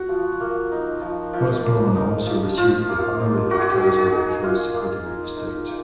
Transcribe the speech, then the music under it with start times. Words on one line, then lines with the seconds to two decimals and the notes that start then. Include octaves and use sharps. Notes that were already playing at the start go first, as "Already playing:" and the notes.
Osborne also received the honorific title of First Secretary of State.
Already playing: F#4
0.09 F3
0.40 A#3
0.72 D#4
1.02 F3
1.33 F3
1.64 A#3
1.95 D#4
2.27 F3
2.58 F3 F4
2.89 A#3
3.20 D#4
3.51 A#3 F#4
3.60 G#4
3.69 F#4
3.78 D#4 G#4
3.87 F#4
3.96 G#4
4.06 F#4
4.12 D#4
4.44 A#3 F4
4.75 A#3
5.06 D#4
5.37 D#4
5.68 A#3